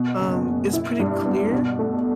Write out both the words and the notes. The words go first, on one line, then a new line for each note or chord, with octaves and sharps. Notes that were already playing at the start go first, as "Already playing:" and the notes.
um, is pretty clear,
Already playing: B2
F#1
F#1
E4
G2
B3
B2
A3